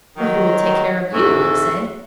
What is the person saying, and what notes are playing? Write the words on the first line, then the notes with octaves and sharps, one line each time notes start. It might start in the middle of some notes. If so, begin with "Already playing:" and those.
"But who will take care of you?" he said.
D#3 F#3
E2 G#2 C3 F#4 A4 E5